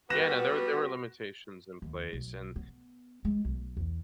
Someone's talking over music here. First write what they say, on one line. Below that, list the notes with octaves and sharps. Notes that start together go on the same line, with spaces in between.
Yeah, no. There were there were limitations in place, and,
G3 B3 F4 F#4 B4 F#6 A#6 E7
D#2
B1
B3
G#3
B1
E2